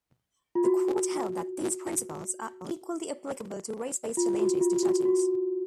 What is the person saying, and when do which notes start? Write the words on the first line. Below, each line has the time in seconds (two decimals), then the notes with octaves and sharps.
The Court held that these principles are equally applicable to race-based challenges to judges.
0.55 F4
0.64 F#4
4.17 F4
4.39 F#4
4.61 F4
4.83 F#4
5.05 F#4